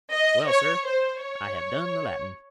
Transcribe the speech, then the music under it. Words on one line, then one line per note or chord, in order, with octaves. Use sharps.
"Well, sir, I have done the Latin."
D#5
C#5
C5
C#5